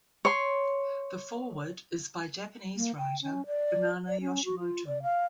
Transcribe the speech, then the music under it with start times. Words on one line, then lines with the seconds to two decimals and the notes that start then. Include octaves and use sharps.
The foreword is by Japanese writer Banana Yoshimoto.
0.25 C#5 C6
2.76 A#3
2.98 G5
3.22 C#4
3.47 D5
4.08 D5
4.21 C#4
4.45 F#4
4.59 F4
4.87 D5
5.03 F5